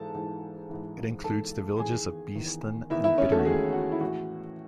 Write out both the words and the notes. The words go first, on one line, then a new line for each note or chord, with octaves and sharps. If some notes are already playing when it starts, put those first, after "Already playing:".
It includes the villages of Beeston and Bittering.
Already playing: G#2 E3 A4 A5
G#2 E3
G#2 E3
G#2 E3 A4 A5
E2 G#4 G#5
D#3
E2 D#3
E2 D#3 E4 E5
E4 E5
C#4 C#5
A3 A4
F#4
E2 D#3 G#3 G#4
F#4
E4
A2 E3 F#4